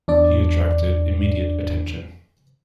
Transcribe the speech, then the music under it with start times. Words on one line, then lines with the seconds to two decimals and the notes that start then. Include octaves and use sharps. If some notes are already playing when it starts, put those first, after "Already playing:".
He attracted immediate attention.
0.08 E2 D4 D5